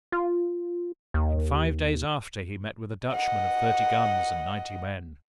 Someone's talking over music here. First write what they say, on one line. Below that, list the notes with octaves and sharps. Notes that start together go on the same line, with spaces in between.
In five days after he met with a Dutchman of thirty guns and ninety men.
F4
D#2
D#5 F#5